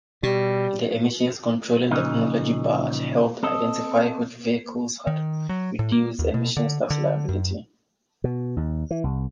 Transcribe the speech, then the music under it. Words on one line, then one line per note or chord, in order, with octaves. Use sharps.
The emissions controlling technology badge helped identify which vehicles had reduced emissions tax liability.
B2 G3 G4
A#2 C#3 E3 F3 D#4
C4 A4 D#5
D#3
F#3
A2
A#3
D#2
B2
D3
D3
F#2
B2
D#2
E3
C2